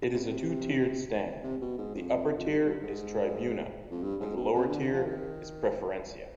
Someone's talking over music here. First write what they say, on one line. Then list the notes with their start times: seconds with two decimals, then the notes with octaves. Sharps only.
It is a two-tiered stand; The upper-tier is "Tribuna" and lower-tier is "Preferencia".
0.13 C3
0.22 B2
0.29 C3
1.44 C3
1.61 B2
1.78 G#2
1.95 F2
2.38 F2
2.47 G2
2.64 G2
2.82 G#2
3.91 F2
4.03 G2
4.20 G#2
4.37 B2
4.54 C3
4.67 D3
4.81 D3
4.94 F3
5.06 D#3